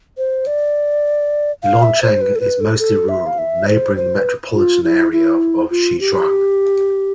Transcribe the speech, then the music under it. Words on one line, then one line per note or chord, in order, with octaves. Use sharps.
Luancheng is mostly rural, neighbouring the metropolitan area of Shijiazhuang.
C5
D5
F5
E5
C5
B4
A4
B4
A4
A4
E5
F5
E5
C5
C5
B4
F4
E4
E4
F4
G4